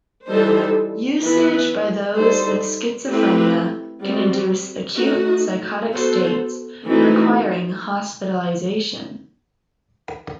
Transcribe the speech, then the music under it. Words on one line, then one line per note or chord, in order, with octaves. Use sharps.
Usage by those with schizophrenia can induce acute psychotic states requiring hospitalization.
E3 G3 D#4 A4 C5
E3 B3 E4 B4
G3 D#4 A4 C5
A3 C4 E4 G4 B4
G3 C4 F#4
A3 D#4 F#4
B3 F#4 A4 C5
E3 A3 C4 D#4 F#4